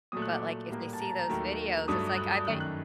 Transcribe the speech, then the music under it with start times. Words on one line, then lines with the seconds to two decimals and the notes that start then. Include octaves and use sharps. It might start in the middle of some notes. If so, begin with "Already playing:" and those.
But, like, if they see those videos it's like I bet
0.12 A#2 F#3 A3 D#6
0.22 F#6
0.32 D6
0.70 A2 G3 A#3
0.93 A5
1.00 A#5
1.09 A5
1.19 A#5
1.29 D#2 D#3 F#3 A3
1.88 G2 F#3 A3 D#6
2.07 D#6
2.17 F#6
2.32 D#6
2.46 F#2 D#3 A3 F#6
2.60 F#6